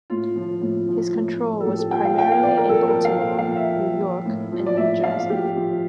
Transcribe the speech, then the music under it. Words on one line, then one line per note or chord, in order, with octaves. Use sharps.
His control was primarily in Baltimore, New York, and New Jersey.
A2 F4
F3
A2
F3
A2
F3
A4
A2 G4
A4
F3 G5
F5
A#2 G5
F5
F3 D5
A#4
A#2 A4
A#4
F3
F5
A#2
F5
F3
E5
A#2
F3
A2
F3
D5
A2 E5
F3 F5
A2 G4
F3